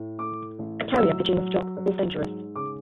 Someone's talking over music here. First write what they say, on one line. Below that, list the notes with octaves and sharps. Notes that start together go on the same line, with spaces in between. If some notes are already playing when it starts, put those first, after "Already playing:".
A carrier pigeon's job was dangerous.
Already playing: A2
A3 D6
A1
F#3 E6
F#3
F#3
G#2
C#3 D6